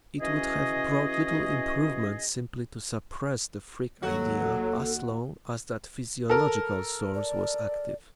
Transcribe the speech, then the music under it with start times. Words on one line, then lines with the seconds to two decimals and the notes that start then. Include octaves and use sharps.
It would have brought little improvement simply to suppress the freak idea as long as that physiological source was active.
0.21 E3 C#4 F#4 G#4 D#5
4.03 D#2 F#3 F#4 A4
6.30 A4 A#4
7.14 D5